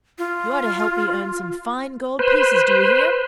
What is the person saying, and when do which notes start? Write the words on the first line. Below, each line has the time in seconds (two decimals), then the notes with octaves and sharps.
You are to help me earn some fine gold pieces, do you hear?
0.19 F4
2.19 B4 C5